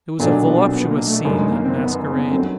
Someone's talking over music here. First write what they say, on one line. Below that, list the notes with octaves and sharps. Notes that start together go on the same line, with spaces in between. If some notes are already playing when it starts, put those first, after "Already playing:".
It was a voluptuous scene, that masquerade.
B1 A#2 F#3 A3 B3 D4
B3
C4
B3
A#3
A3
G1 F#2 D#3 G3
G#3
A#3
C4
B3
B3
C4
B3
G2 D#3 F#3 A3 C4